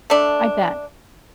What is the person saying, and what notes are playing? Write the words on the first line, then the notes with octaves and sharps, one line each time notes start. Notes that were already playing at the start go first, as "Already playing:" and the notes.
I bet.
A3 D4